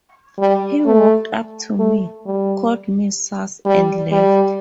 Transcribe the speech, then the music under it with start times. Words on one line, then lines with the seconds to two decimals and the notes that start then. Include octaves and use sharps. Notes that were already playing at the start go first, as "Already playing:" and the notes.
He walked up to me, called me "sus", and left!
0.39 G3
0.86 A3
1.79 A3
2.26 G3
3.65 G3
4.12 G3